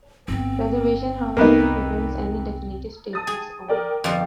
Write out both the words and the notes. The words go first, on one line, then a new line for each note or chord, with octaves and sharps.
Preservation however prevents any definitive statements on the matter.
G1 B3 C4
C2 F2 A#3 B3 D#4
A5 D#6 A6
G#4
A#4 D5 G5
G1 F2 G3